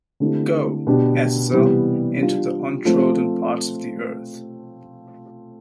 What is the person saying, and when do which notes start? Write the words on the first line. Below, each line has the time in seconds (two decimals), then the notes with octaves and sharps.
Go, Azazel, into the untrodden parts of the earth.
0.20 D3 A3 C4 E4 G4
0.87 B2 B3 D4 G4
1.52 C3 E3 G3 B3
2.19 G3 D4 F4
2.85 F3 A3 C4 F4